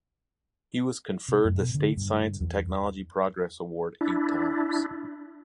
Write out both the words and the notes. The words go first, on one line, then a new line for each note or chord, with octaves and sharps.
He was conferred the State Science and Technology Progress Award eight times.
C3
F#2
B2
D3
G2
E2
D4 E4